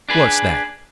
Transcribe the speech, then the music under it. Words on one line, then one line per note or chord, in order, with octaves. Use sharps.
"What's that?"
D4 G#4 B4